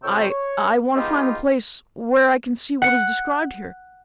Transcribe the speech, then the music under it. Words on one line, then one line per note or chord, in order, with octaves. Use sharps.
I--I--want to find the place where I can see what is described here.
F2 C3 C#5 G5 E6
C#5
G#3 B3 D#4 F4 G4
F#5 C#7